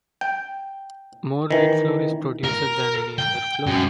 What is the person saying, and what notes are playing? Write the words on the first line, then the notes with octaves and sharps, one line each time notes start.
More wheat flour is produced than any other flour.
G5
D#3 E3
A#4
G5
F#2